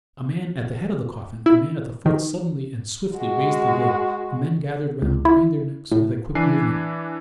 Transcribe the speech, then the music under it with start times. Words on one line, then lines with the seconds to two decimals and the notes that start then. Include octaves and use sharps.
A man at the head of the coffin, a man at the foot suddenly and swiftly raised the lid: the men gathered round craned their necks with a quick movement.
1.46 E4
2.06 D#3
3.17 G#3 F#4
5.02 C#2
5.25 E4
5.92 A2
6.35 E3 D4 B4 G#5 C7